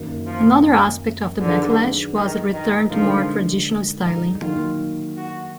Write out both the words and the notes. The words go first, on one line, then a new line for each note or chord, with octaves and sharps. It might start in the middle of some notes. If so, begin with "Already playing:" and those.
Another aspect of the backlash was a return to more traditional styling.
Already playing: F#2 D#3 A#3
F3
D3 D#3 F#3 D4 G#4 B4
D#3
D#3
D3 F3 G#3 D#4 A#4
D#4
D#3 F#3 A#3 F4
F#4